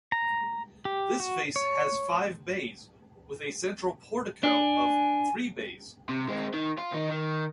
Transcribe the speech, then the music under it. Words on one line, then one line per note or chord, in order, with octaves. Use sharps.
This face has five bays, with a central portico of three bays.
A#5
G4
F#4
C#5
D4 G#5
C3
G#3 C4
D#3
F4
D#3 D#4
D#3